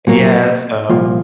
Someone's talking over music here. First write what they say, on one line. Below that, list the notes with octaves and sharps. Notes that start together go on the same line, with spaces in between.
Yeah, so
A#2 F#3 A#3
C2 A#2 F3